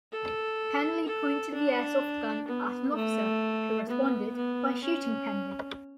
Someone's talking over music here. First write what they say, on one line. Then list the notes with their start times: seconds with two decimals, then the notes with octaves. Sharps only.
Penley pointed the Airsoft gun at an officer, who responded by shooting Penley.
0.12 A4
1.06 A4
1.54 D4
2.48 B3
2.95 A3
3.89 B3
4.36 B3
4.83 C#4